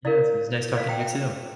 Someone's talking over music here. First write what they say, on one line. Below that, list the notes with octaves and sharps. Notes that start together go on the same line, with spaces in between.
Yes, it was nice talking to you too.
E4 A#4 D5 F5
F4 C5 D5 F5
G5 A#5
E5 G5